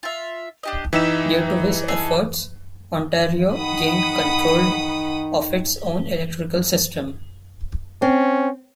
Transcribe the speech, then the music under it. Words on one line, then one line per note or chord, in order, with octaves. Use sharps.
Due to his efforts, Ontario gained controlled of its own electrical system.
F4 E5
D4 G4 D#5
E3 D#4 G4 E5 E7
G#4 A4
D#3 F#5 B5 D#6
C4 C#4